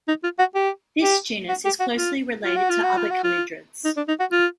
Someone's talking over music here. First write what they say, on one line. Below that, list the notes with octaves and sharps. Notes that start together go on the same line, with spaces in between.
This genus is closely related to other calidrids.
D#4
F4
F#4
G4
G4
F#4
G4
F#4
F4
F4
F#4
F4
F#4
F4
F#4
F4
D#4
D4
D#4
F#4
F4